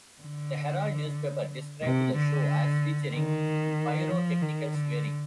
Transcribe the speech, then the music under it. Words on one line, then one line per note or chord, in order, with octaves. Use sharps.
The Herald newspaper described the show as featuring Pyrotechnical swearing.
D3
C3
D3
D#3
F3
D#3
D3